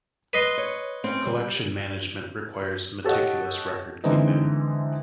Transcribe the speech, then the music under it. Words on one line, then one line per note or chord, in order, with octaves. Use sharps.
Collection management requires meticulous record keeping.
B4 D#5 C6
C#5
C4 C#4
G3
G4 A4 C#5 D#5 F#5
D3 E3 G#3 C4 D#4